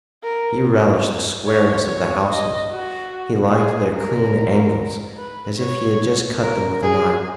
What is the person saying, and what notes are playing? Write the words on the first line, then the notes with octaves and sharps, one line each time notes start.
He relished the squareness of the houses; he liked their clean angles as if he had just cut them with a knife.
A#4
C#5
C#5
D#5
F#4
G#4
A#4
B4
C#5
A#4
G#4